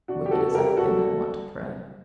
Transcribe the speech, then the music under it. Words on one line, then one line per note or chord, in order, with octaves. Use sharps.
Wicked as I've been, I want to pray.
C3 D4 F#4
G3 G4
F#4 A4
C3
A4
G3 G4 A#4
C3 F#4 A4
G3
G3